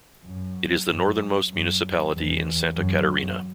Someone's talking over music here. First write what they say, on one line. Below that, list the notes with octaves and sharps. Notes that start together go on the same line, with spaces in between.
It is the northernmost municipality in Santa Catarina.
F#2
F#2
F#2
E2
F#2